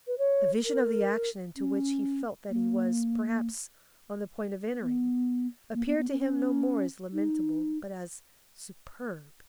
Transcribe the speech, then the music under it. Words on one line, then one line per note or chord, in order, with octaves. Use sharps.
The vision of the action into which he felt that he was, perhaps, on the point of entering, appeared to him no more as lamentable, but as superb.
B4
C#5
A#4
C#4
A#3
B3
A#3
B3
B3
C#4
C#4
D#4